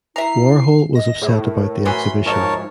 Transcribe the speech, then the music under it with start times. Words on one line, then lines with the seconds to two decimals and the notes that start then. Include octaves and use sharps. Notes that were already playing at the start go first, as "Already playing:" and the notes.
Warhol was upset about the exhibition.
0.16 E4 E5 A#5 C7
0.95 D#5 A#6
1.22 A2 G#4
1.44 A#4
1.85 E3 F#3 C#4 B5 C6
2.26 G#2 F3 A#4 C#5 A5